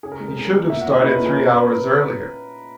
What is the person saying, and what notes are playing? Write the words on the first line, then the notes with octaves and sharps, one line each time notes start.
He should have started three hours earlier.
C#3 G#4
A#4
G#3
A#4
B3 G#4
A#4
B3 G#4
A#4
A#2 E5
F#5
C#4
D#5
A#2 B4
A#4
A#2
G#4
C#4 A#4
B4